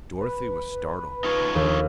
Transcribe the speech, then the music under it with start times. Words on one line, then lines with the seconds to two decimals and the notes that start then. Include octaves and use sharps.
Dorothy was startled.
0.21 B4
1.24 D#4 F4 C#5
1.55 D#2